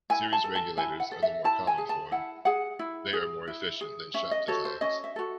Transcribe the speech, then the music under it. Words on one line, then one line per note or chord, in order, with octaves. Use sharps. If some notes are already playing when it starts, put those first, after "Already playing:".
Series regulators are the more common form; they are more efficient than shunt designs.
E4 G#5
A5
A4
A5
E4 G#5
F#5
A4
E5
E4 A5
G#5
G#4
A5
E4 F#5
G#4 F#5
E4
G#4
E4
G#4
C#4 E5
D#5
F#4 A4 C#5
C5
C#4 D#5
E5
F#4 A4